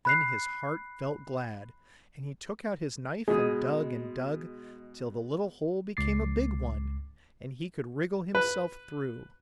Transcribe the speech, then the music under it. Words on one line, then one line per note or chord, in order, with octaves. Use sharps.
Then his heart felt glad, and he took out his knife and dug and dug, till the little hole became a big one, and he could wriggle himself through.
B5 F#6 C7
B2 G#3 G#4
C#2 D6 A6 C7
B4